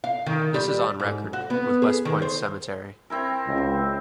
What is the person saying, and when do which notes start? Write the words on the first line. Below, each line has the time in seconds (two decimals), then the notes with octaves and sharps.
This is on record with West Point's cemetery.
0.04 F5
0.26 D#3
0.54 G3
1.00 G#2
1.33 F#4
1.50 B3
1.82 G#4
2.05 D#3
2.22 C5
3.10 C4 E4 A#4
3.47 C#2